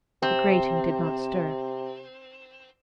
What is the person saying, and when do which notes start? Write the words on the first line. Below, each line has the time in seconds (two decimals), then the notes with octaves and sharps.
The grating did not stir.
0.22 C3 C4